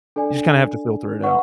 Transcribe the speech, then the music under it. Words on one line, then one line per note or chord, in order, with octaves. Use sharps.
you just kinda have to filter it out.
D4 A4 D5 G#5
B4 F#5 C#6